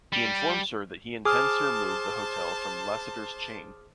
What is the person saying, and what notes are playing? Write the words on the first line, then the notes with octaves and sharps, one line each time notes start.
He informs her that he intends to remove the hotel from Lassiter's chain.
G3
G#4 C5 A5 D6 D#6 F6